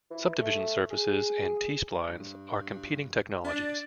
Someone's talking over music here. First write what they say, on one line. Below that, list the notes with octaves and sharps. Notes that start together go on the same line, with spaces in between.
Subdivision surfaces and T-Splines are competing technologies.
E3
A3
G#4
G2
D4 D5